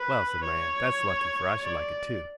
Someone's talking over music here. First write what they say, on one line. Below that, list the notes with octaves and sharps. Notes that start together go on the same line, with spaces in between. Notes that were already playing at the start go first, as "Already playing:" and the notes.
'Well,' said my aunt, 'that's lucky, for I should like it too.
Already playing: B4
C#5
D5